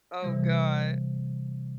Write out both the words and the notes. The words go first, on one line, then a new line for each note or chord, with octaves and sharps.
Oh, god.
C3 E3 G3